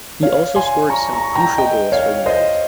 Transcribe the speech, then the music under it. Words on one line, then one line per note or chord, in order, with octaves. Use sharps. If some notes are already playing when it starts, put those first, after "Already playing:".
He also scored some crucial goals for United.
C#5 F5
G#5 C6
A#5 C#6
A#5 C#6
G5 A#5
D#5 G5
C#5 F5
C5 D#5